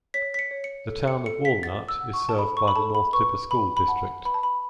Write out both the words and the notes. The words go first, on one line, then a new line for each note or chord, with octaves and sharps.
The Town of Walnut is served by the North Tippah School District.
C#5 B6
B6
C#7
C#5
C#7
A4
C#7
A4 C#7
B6
F#5 A6
E6
F#5
C#6
A5
A4 B5
C#6
B5
A4 A5
B5
B4 C#6
B4 B5
B5
F#5 A5
B4 B5
A5
B5